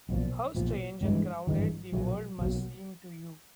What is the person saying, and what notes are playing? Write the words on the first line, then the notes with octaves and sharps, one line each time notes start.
How strange and crowded the world must seem to you!
B1 A#2 F3
B1 A#2 F3
G#1 G2 E3 G#3
G#1 G2 E3 G#3
B1 A#2 F#3 A#3
B1 A#2 F#3 A#3